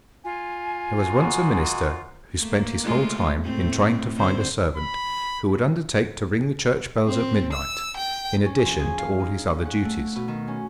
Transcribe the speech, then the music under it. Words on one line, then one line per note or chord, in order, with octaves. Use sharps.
There was once a minister who spent his whole time in trying to find a servant who would undertake to ring the church bells at midnight, in addition to all his other duties.
F4 G#5
G#3 A#3 F#4
A3 A#3
G#3 A3 F4
A2 A3 C4
D3 C4 C5
B5
C4
E6
G5
C#4
F3
G#4
F5
D#4
C#4
F#5
A3
B2
D#3
C#4